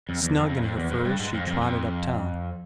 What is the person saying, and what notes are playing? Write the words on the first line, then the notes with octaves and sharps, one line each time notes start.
Snug in her furs she trotted up-town.
F2
E2
F2
F2
F2
E2
F2
G2
G#2
F2
F2
F2